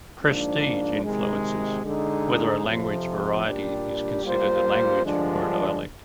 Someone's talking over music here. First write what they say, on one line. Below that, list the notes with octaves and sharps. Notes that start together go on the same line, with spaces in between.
Prestige influences whether a language variety is considered a language or a dialect.
G#2 F3 A#3 D4
C3 D#3 G#3
D3 G#3 D#4
F2 C3 F3
A#2 G3 D4 G4
G3 A#3 F4 C5
G2 D3 F3 G#3 D4